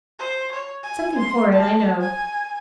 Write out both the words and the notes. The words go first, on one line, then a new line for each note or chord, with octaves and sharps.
Something horrid, I know.
C5
C#5
G#5
C6
A5
G#5